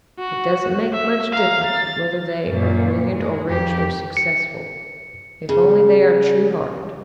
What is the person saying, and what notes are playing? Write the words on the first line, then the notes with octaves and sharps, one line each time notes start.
It doesn't make much difference whether they are brilliant or rich or successful, if only they are true-hearted.
F#4
E5
F5 A#5
A6
F#2 A#2
G#3
F2 G4
C#7
C#3